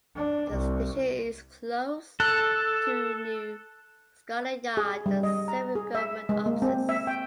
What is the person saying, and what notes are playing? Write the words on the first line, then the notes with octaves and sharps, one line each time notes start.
The station is close to New Scotland Yard and several government offices.
D4
C2
A4 F#6
G#4
G3
D#5
A#5
G#4
E5
G#3
A#3
C4
E5
G5